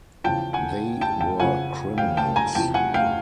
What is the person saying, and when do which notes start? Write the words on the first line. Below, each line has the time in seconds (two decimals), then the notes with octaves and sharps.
They were criminals.
0.24 E2 C#3 F3 G5 A5
0.53 F#5 G#5
1.01 G5 A5
1.21 G5 A5
1.40 F2 C#3 F3 F#5 G#5
1.98 F5 G5
2.17 G5 A5
2.36 G#5 A#5
2.55 E2 C3 F3 G5 A5
2.74 F#5 G#5
2.94 F5 G5